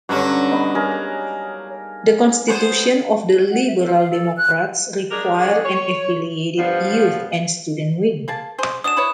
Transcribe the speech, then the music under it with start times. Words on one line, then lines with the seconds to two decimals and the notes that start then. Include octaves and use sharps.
The constitution of the Liberal Democrats requires an affiliated youth and student wing.
0.09 G2 D3 F#3 C#4 F#4
0.51 B3 D#4
0.75 G#4 A#4 F5
2.48 B3 G#4 C5
3.50 F#5
3.65 E5
3.79 A4
3.95 F5
4.09 A4
4.37 F#6
5.10 G#3 D4 G4 A#4
5.39 D#3 D4 G4 G#4 C#5 D5
5.65 C#5
6.57 G2 F3 B3
8.28 A#3 G#4 A5
8.58 G#4 C5
8.84 F#3 D4 G#4 D#6 E7
8.97 E4 B4 C#5